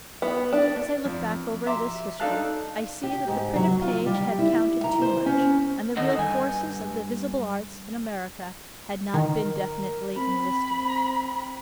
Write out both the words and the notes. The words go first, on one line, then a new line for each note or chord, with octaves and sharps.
As I look back over this history I see that the printed page had counted too much, and the real forces of the visible arts in America had not been definitely enlisted.
B3
D4
F2
E5 A#5 C6 D6
D4 D#4 A4 F5 A5 F#6
G4
G#2
F#3
F4
G3
E4
A#5
C5
C#4
D#3 A4 D#5 F#5
G2 G#5
D#3 A#4
C4 B5